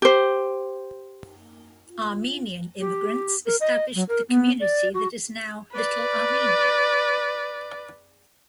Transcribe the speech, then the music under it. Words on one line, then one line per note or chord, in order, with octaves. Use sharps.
Armenian immigrants established the community that is now Little Armenia.
G4 C5
G4
A#4
D#5
F#3
A#4
B3
D5
F#4
B4 D5